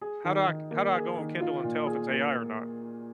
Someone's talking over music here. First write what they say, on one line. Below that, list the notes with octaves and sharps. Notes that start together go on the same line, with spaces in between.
how do I how do I go on Kindle and tell if it's AI or not?
G#4
D#3
D#3
A#3
G#4
D#3
F4
A#2
G#4
A#3